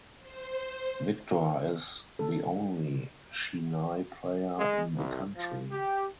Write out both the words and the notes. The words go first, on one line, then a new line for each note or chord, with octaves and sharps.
Victor is the only Shehnai player in the country.
C5
A4
G#3
C2
F3
G4